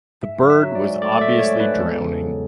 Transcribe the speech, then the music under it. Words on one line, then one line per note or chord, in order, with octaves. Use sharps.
The bird was obviously drowning.
G#2 E5
F#3
E5
F#3
D5
G#2
A3 D5
D5
A3 E5
G#2 C#5
G#2 B4
E2 A4
C#3
F#3